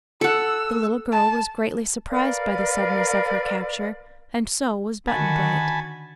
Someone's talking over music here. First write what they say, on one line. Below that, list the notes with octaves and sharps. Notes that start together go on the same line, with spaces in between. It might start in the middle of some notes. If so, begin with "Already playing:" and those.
The little girl was greatly surprised by the suddenness of her capture, and so was Button-Bright.
A4 F#5 E6
A5
A#4 B4 D5 F5
D3 D#3 F#4 G#5 A5 B5